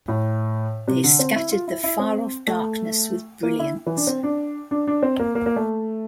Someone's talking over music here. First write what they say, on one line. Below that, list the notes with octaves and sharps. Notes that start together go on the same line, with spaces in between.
They scattered the far-off darkness with brilliance.
A2
C3
D3
C4
E4
F4
E4
E4
C4
A3
A#3
E4
E3
D4
C4
D4
D4
D4
C4
A#3
A#3
A#3
A3